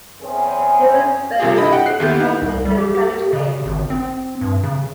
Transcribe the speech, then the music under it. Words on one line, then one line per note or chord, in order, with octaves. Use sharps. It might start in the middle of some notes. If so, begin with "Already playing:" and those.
He was buried in the Holzminden Cemetery.
E2 C4 C#4 G#4
C2 C3 F4 G4 G#4
D4 E4 G4 D#5 B5
F#5 G5
F#6 C7
D#2 B3 G4 G6
D#4 E4
C2
G3
G4
G4
C#3
G#1
C4
G2
C#3